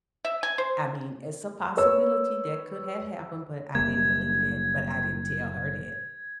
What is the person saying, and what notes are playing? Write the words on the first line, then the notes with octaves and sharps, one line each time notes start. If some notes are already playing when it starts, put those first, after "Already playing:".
I mean, it's a possibility that could have happened, but I didn't believe that, but I didn't tell her that.
E5
G#5
C5
B4 C#5 E6
F#1 G3 A#3 G#6